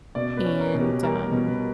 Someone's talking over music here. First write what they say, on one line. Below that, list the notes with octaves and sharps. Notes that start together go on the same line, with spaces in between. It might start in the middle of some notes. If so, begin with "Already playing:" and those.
and, um
B2 D5
B4
C#4
A#4
B2
G4
G3 A#4
B2
B4